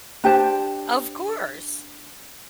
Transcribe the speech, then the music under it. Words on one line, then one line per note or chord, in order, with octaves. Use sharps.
Of course.
D4 G4 C5 A5